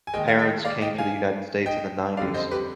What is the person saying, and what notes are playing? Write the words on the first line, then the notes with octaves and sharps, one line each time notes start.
parents came to the United States in the nineties.
G#5
D#2 D#3 G#3 D#5 G5
F5
D#5 G5
D5 F5
D#5 G5
F5 G#5
D#5 G5
F2 D3 G3 D5 F5
C5 D#5
G4 B4